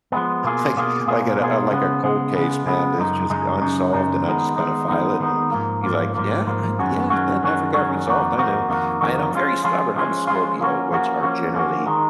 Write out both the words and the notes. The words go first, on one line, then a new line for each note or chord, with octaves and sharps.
it's like like at a like a cold case, man it's just unsolved, and I just kinda file it and be like, "Yeah, I yeah, that never got resolved I knew," and I'm very stubborn, I'm a Scorpio, which are generally
F3 G#3 B3
B2 A#3 F4 G#4
B2 A#3 F4 G#4
B2 A#3 F4 G#4
B2 A#3 F4 G#4
C#3 G#3 B3
C#3 G#3 B3
C#3 G#3 B3
C#3 G#3 B3
F#2 C#3 G#3 D#4
F#2 C#3 G#3 D#4
F#2 C#3 G#3 D#4
F#2 C#3 G#3 D#4
D#3 G#3 B3 D#4
D#3 G#3 B3 D#4
D#3 G#3 B3 D#4
D#3 G#3 B3 D#4
G#2 F3 A#3
G#2 F3 A#3
G#2 F3 A#3
G#2 F3 A#3
F#2 D#3 G#3 C#4 F#4
F#2 D#3 G#3 C#4 F#4
F#2 D#3 G#3 C#4 F#4
F#2 D#3 G#3 C#4 F#4
F2 D#3 A#3 D#4 F#4
F2 D#3 A#3 D#4 F#4
F2 D#3 A#3 D#4 F#4
F2 D#3 A#3 D#4 F#4
F3 G#3 C#4 F4
F3 G#3 C#4 F4
F3 G#3 C#4 F4
F3 G#3 C#4 F4
F3 A#3 C#4 F#4
F3 A#3 C#4 F#4
F3 A#3 C#4 F#4
F3 A#3 C#4 F#4
D#3 G#3 D#4